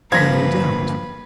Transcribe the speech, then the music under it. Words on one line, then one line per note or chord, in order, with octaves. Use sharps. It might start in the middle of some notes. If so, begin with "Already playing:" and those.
No doubt.
G2 D3 F3 A#3 B4 G#6 A#6 B6